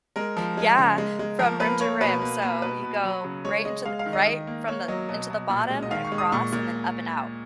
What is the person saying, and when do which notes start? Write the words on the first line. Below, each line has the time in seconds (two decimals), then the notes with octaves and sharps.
Yeah. From rim to rim, so you go right into th right from the into the bottom and across and then up and out.
0.16 G#3 A#4
0.37 F3
0.57 G#3
0.78 C#3
0.98 G#3
1.19 G#3
1.39 F3 A#4
1.60 A#3 B4
1.80 A#3 C#5
2.01 B2 B4
2.22 A#3
2.42 A#3
2.62 B2 B4
2.83 B2
3.04 F#3
3.24 C#3
3.45 G#3 C#5
3.65 G#3 D#5
3.85 G#3 F5
3.99 F5
4.06 D#3
4.13 D#5
4.26 D#3
4.47 A#3
4.68 A#3 C#5
4.88 F#3 D#5
5.08 B2 D#5
5.30 B2
5.50 A#2
5.70 G#3
5.83 D#5
5.91 D#3 F5
6.05 C#6
6.12 G#3
6.18 D#6
6.32 A#2 C#6
6.52 A#2